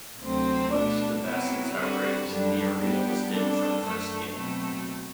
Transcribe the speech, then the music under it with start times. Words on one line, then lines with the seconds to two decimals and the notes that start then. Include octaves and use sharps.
Much to Bassett's outrage, the arena was dim for the first game.
0.20 D2 C3 F#3 C4
0.72 B2 A3 D4
1.23 C3 F#3 B3 E4
1.74 D3 G3 C4 F#4 B4
2.26 F#2 D3 G3 D4 G4
2.78 G3 B3 D4 G4
3.30 C3 G3 D4 A4
3.82 F#2 D3 A3
4.33 B2 F#3 A3 C4